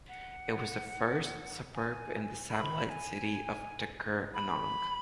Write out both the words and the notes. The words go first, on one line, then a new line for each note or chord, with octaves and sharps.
It was the first suburb in the satellite city of Tuggeranong.
F#5
G#5
B5
B5
G#5
B5